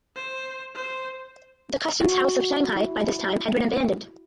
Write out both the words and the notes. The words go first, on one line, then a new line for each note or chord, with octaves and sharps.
The Customs House of Shanghai by this time had been abandoned.
C5
C5
F#4
E4